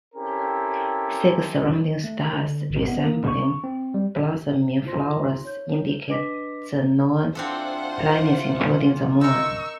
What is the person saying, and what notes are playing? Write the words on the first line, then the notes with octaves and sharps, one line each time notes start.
Six surrounding stars, resembling blossoming flowers, indicate the known planets including the Moon.
C4 C#4 E4 G4 A4 A#4
A3
D3
G#1
B3
A#3
C#6
C4
G3
D#4 F4 C5 C6 A#6
C#5 G6
D4 B4 D#5 D6 A#6 B6
E3 C4 D4 F4 A4 C5 F#5
D#4 A#4 C#6 E6